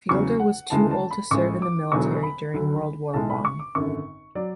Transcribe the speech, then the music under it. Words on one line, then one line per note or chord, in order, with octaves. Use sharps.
Fielder was too old to serve in the military during World War One.
E2 C#3 F#3 C#6
F#5
D2 C#3 E3 G#3 A5
A5
B5
A1 A2 G#3 C#6
D6
E1 E2 D3 F#3 C#6
B5
D2 D3 F#3
B1 A2 G#3 A5
B5
C#6
D6
G#1 F#2 D3 C#6
F#3 D5